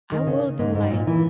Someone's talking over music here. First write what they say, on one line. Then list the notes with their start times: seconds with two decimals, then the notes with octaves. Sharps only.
I will do, like,
0.12 D#3
0.27 C#3
0.59 G#2
0.75 G#2
0.91 A#2
1.07 E3